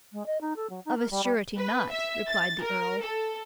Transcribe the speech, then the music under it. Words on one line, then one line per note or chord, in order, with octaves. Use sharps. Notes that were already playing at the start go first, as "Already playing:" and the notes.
"Of a surety not," replied the earl.
G#3
D#5
D#4
A4
F#3
D#4
A#4
G3
G3
B4
E5
A6
A#4
A4